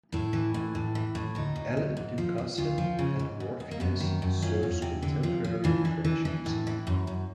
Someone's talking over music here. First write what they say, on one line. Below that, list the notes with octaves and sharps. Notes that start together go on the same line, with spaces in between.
Alain Ducasse at Morpheus serves contemporary French cuisine.
A2 E4
E3
A2
A2
E3
A2
D2 D#4
D2
D2
G#2
F3
F3
D2 F4
F3
C#3
G#2
G#2
G#2
A#3
F#2 B3
D#3
F#2
F3 C#4
E2
C3
D3
F3
F3
E3 D4
E3
E3
E3
A2
E3
F#2
F#2